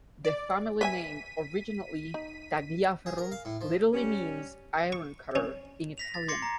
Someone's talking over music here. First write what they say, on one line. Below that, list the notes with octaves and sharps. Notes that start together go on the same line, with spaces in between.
The family name, originally "Tagliaferro", literally means "Ironcutter" in Italian.
D5
B4 E5 G#5 B6 D#7
D#4
G#4
A#4
F5
A2
F3
G3 C#4
C#6
C#4
A#6 B6 F7
A6
C6 D6 G#6 A#6 C7 C#7
A#5